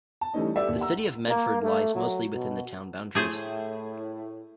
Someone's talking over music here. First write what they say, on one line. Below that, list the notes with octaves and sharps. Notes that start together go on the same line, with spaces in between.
The City of Medford lies mostly within the town boundaries.
A5
E3 G3 A3 C#4 D#4 D#5
G4 A4 B4 D5 E5
D#2
F#5 A#5 E6
A#3
A3
F#3
B2
A2 A3 G#4 C5